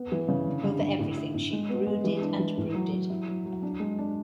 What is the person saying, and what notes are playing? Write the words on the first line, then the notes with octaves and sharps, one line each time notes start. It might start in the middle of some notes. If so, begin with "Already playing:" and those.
Over everything she brooded and brooded.
Already playing: B3
E3
C#3
D3
D3
D3
A2
E4
A2
G#3
B3
G#3
E3
D4
E3
A2
F#3
F#3
E4
F#3
F#3
D4
G#3
D4